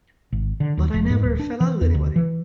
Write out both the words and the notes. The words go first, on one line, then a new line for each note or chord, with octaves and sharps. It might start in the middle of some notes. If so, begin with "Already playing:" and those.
But I never fell out with anybody.
G#1
D3
D#2
F1
G#2
D1
D4
E3
E2
D2
E3